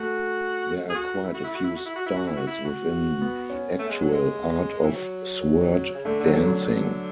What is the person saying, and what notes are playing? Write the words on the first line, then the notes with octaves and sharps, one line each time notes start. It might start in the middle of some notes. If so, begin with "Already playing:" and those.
There are quite a few styles within the actual art of sword dancing.
Already playing: A3 F#4
G#4
F#4
E4
F#4
E4
F#4
E4
F#4
E4
F#4
E4
F#4
E4
F#4
E4
F#4
B3
C#4
A3
G#3
F#3
G#3
E3
F#3
C#3
D3 A3
D3
F#3
D3
F#3
D3